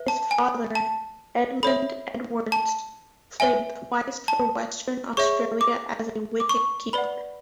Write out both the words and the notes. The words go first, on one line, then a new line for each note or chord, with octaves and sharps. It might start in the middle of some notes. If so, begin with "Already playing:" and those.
His father, Edmund Edwards, played twice for Western Australia as a wicket-keeper.
Already playing: B4 E5
A5
G#5
A5
A4 C#5 E5 B5
A5
B4 E5 G#5
A5
G#4 C#5 E5 C#6
D6
D6
C#6
B4 D5 F#5 B5